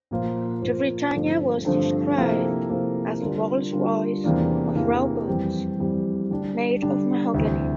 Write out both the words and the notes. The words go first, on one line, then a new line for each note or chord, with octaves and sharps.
The Britannia was described as the Rolls-Royce of rowboats, made of mahogany.
A#2 F3 A#3 F4 C5
A#2 F3 A#3 F4 C5
G2 D3 F3 A3 C4
G2 D3 F3 A3 C4
C3 F3 A#3 E4 A4
C3 F3 A#3 E4 A4
D3 G3 D4 F4 A#4
D3 G3 D4 F4 A#4
E2 C3 E3 A#3 D4
E2 C3 E3 A#3 D4
F2 E3 G3 C4 G4
F2 E3 G3 C4 G4
D3 G3 D4
D3 G3 D4
D2 C3 E3